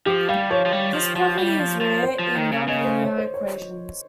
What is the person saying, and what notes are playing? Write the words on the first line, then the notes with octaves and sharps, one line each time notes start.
This property is rare in nonlinear equations.
F3 G4
G3 F5
F3 C#5
F3
G3
F3
F3
G3
F3
F3
C5
F3
D#3
C#3
C#3 D#5
C5
C#5
C5
C#5